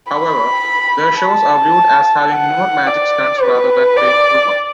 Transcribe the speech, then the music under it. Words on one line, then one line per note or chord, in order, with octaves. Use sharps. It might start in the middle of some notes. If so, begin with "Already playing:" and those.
However, their shows are viewed as having more 'magic' stunts rather than painful ones.
B5
A5
F#5
D5
B4
D5